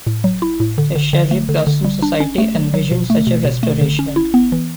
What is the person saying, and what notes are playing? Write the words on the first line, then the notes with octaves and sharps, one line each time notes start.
The Cherry Blossom Society envisioned such a restoration.
A2
F#3
E4
A2
D3
D3
D3
A3
D3
D3
G3
D4
C#4
A3
F#3
F#3
B2
A3
B2
B2
A3
D3
C#4
E4
B3
E3